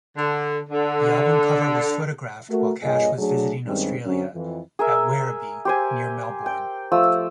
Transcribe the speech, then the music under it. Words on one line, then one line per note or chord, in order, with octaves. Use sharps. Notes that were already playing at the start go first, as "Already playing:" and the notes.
The album cover was photographed while Cash was visiting Australia, at Werribee near Melbourne.
D3
D3
A3 F#4 A#4
G2 A#2 G#4 C#5 D#5
F#3 A3 D4 G#4
G2 D#3 G3 G#3 C4 C#4
F#2 D3 F#3 C4 C#4
F2 E3
G#4 A#4 E5
G4 C5 G#5
G5
F3 A3 E6